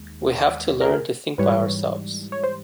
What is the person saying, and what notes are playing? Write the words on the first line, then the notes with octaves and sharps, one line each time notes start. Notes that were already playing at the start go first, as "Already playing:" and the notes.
We have to learn to think by ourselves.
Already playing: D#2 D#3 G#3
G#4 A#4
G#2 E3 G3 B4 C#5
C#5
C5